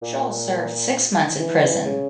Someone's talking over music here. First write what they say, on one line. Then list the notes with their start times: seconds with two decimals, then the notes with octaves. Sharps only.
Scholl served six months in prison.
0.02 A#2
1.40 E3
1.63 E3
1.85 C#3